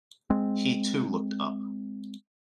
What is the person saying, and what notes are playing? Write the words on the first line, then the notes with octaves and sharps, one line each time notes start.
He too looked up.
G#3 C4